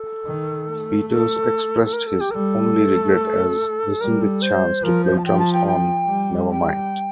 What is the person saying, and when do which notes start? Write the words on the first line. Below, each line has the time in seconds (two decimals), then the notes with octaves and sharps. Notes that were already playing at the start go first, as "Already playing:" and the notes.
Peters expressed his only regret as missing the chance to play drums on "Nevermind".
Already playing: A4
0.26 D#3
0.68 A3
1.09 A4
1.93 A#4
2.06 A4
2.20 G4
2.30 A#4
2.34 G3 A4
2.76 A3
4.00 G3 A#4
4.21 A4
4.42 C5
4.83 F3 A#4
5.04 C5
5.17 A5
5.25 F3 G5
5.39 A5
5.52 G5
5.66 G5
6.08 G3
6.50 G3 G5